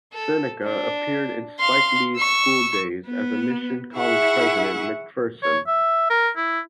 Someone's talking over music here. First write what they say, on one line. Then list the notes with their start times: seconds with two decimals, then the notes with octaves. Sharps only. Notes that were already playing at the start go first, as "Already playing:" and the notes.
Seneca appeared in Spike Lee's "School Daze" as Mission College President McPherson.
0.13 A4
0.64 D4
1.60 F5 C6
2.17 C#6 E6
3.07 B3
3.95 E4 G#4 E5 F#5 C#6
5.43 C#5
5.67 E5
6.10 A#4
6.37 E4